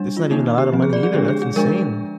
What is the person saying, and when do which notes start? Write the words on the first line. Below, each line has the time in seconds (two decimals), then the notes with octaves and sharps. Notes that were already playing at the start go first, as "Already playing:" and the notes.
That's not even a lotta money either, that's insane.
Already playing: G3 D4
0.17 F4
0.31 D#3 A#3 D4 D#4
0.58 G4
0.72 F3 C4
0.82 G#4
0.93 D5
1.03 G#4
1.14 D3 G#3 D4 G4
1.28 G#4
1.42 G#4
1.56 F3 G#3 D4 A#4